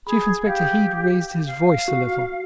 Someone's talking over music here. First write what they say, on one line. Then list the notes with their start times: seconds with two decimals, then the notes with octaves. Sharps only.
Chief Inspector Heat raised his voice a little.
0.07 G#4 B5
0.47 G4 F5
1.46 F5
1.88 F#4